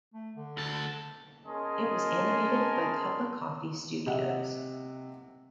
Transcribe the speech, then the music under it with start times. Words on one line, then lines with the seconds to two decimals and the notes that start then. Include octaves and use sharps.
It was animated by Cuppa Coffee Studios.
0.14 A3
0.36 D3
0.57 D2 A4
1.46 C#4 G#4 A#4 D#5 A5 C6
4.06 C3 D#5 E5 F#5